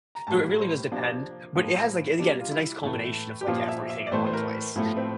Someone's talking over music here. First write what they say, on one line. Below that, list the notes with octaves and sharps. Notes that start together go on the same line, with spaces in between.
so it really does depend, but it has, like, and again, it's a nice combination of, like, everything in one place.
A#5
A2 G3 A#3 A5
C5
C3 F3 A#3 D4
A2 F3 A#3
E4
C3 G3 A#3 D4
F4
E4
A2 E3 A3
G4
A#2 F3 A#3 F4
E5
E5
D5
A2 E3 A3 C5
C5
A#4
A2 F3 A3 E4
C4